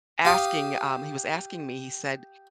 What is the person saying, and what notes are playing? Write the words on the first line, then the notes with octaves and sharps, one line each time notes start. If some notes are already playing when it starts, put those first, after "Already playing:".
asking, um he was asking me, he said,
G4 F5 D#6